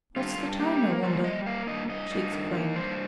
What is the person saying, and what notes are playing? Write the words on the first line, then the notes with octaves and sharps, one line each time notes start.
"What's the time, I wonder?" she exclaimed.
G2 F4
G2
A#3 G4
A#3
G3 C5
G3 D#5
A#3 F5
G2 D#5
G2 D#5
G2
D#3
A#3
G2 C5